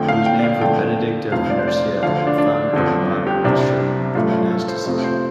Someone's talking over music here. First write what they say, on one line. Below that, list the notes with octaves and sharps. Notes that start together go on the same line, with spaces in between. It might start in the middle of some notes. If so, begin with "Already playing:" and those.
It was named for Benedict of Nursia, founder of modern western monasticism.
Already playing: F2 D3 A3 G5
F5
G5
D5
F5
F2 D3 A3 G5
F1 F2 F3 F5
D5
C5
D5
D2 D3 F3 F5
D4
D4
G1 F2 D3
G4
C2 C3 G3 D4
A1 G2 F3 A3 F4
A4
C5
F2 C3 F3 A3 A4
C5